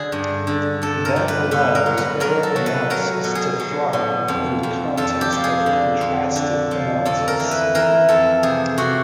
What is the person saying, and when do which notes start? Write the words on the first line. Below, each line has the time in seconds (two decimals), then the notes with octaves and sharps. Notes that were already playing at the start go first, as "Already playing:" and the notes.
That allows error analysis to thrive in the context of Contrastive Analysis.
Already playing: D3 G#4
0.12 G2
0.47 D3
0.82 G2 A4
1.05 A#4
1.16 G3
1.28 B4
1.51 B2 B4
1.75 A#4
1.86 F#3
1.98 B4
2.20 F#3 A#4
2.43 A4
2.56 F#3
2.66 B4
2.90 F#3 A#4
3.24 B2
3.35 G#4
3.60 F#3
3.93 B2
4.28 F2
4.63 F2
4.97 F2 A4
5.21 G4
5.33 F3
5.44 G#4
5.66 D3
6.01 F2
6.36 D3
6.71 F3
7.05 F2 A4
7.28 A#4
7.40 E3
7.51 B4
7.75 E3 A#4
8.09 F2 A4
8.43 C3 G#4
8.78 C3 F#4